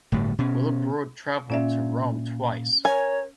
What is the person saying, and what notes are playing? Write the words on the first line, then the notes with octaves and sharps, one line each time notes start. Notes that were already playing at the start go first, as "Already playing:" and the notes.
Willibrord travelled to Rome twice.
G1 A2 G3
B2 C#4
A#2 C#4 D5 E5
A#4 C#5 G#5